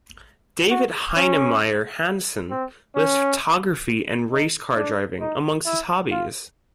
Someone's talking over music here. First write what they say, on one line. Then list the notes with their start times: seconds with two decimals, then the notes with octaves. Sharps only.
David Heinemeier Hansson lists photography and race car driving amongst his hobbies.
0.70 F#4
1.16 C#4
2.50 C4
2.95 C#4
4.31 D#4
4.76 D4
5.21 D#4
5.66 E4
6.11 F4